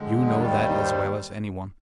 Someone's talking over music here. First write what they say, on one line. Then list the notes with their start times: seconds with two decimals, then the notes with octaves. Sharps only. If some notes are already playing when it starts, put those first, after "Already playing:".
You know that as well as any one.
Already playing: F2 D3 G#3
0.28 D#4
0.36 D#2 D#3 G3 D4
0.51 C4
0.68 D#4
0.84 C5